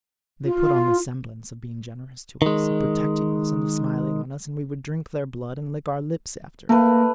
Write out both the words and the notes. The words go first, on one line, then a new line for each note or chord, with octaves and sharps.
They put on the semblance of being generous to us, of protecting us, and of smiling on us, and we would drink their blood and lick our lips after it!
F4
D#3 G#3
A3 A#3 B4